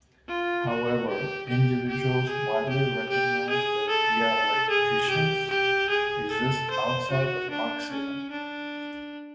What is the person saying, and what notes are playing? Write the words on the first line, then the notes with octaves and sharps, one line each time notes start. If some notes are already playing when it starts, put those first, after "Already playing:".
However, individuals widely recognized as dialecticians exist outside of Marxism.
F4
F#4
G4
G4
G4
G#4
G4
G4
G#4
A4
G#4
G4
G4
G#4
A4
C5
F#4
D4
C#4
D4